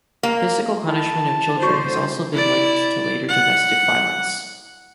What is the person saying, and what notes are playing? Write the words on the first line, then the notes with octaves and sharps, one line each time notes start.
Physical punishment of children has also been linked to later domestic violence.
A#3
E4 A5
D3 F#4 C5 C#5 C#6
E4 D5
F#5